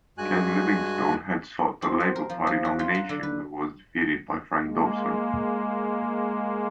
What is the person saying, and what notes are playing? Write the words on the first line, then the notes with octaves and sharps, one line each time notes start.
Ken Livingstone had sought the Labour Party nomination but was defeated by Frank Dobson.
G2 G#3 F#4 G#5 F#6
C4
C5
A#4
F3
F3
F#4
F4
F#3
D3
B4
G#3 A#3